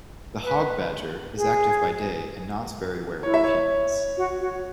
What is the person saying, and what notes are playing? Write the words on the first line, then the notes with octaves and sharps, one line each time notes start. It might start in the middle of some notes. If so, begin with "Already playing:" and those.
The hog badger is active by day and not very wary of humans.
B4
G#4
E4 C#5
E5
C#5
F#4
F#4